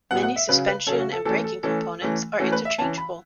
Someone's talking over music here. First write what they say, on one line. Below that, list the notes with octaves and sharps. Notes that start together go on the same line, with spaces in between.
Many suspension and braking components are interchangeable.
A2 F#3 B3 F#5
F#5
E5
C#3 F#3 C#4 B4
B4
C#3 F#3 C#4 A4
F#4
A4
E3 A3 C#4 A4
A4
E3 A3 C#4 A4
E3 A3 C#4
E3 A3 C#4 F#4
B4
E5
E3 C#4 A5
B5